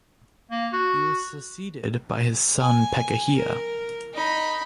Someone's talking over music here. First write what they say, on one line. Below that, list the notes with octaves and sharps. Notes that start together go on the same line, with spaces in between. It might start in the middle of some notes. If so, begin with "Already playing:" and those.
He was succeeded by his son Pekahiah.
A#3
F#4
G#5
A#4
D#4 B5